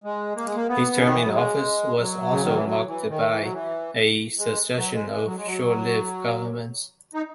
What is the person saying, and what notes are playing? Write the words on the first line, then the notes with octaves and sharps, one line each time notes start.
His term in office was also marked by a succession of short-lived governments.
G#3
A#3
G#3
A#3
B3
C#3
D#3
E3
F#3
G#3
F#3
C#3
D#3
E3
F#3
E3
D#3
E3
F#3
E3
G#3
F#3
G#3
G#3
F#3
G#3
F#3
D#4